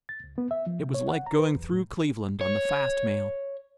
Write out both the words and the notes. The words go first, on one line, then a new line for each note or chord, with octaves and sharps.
It was like going through Cleveland on the fast mail.
A6
C#2
B3
E5
F3
C3
C#5
F#5
A#5
B4
E2
A2
C#5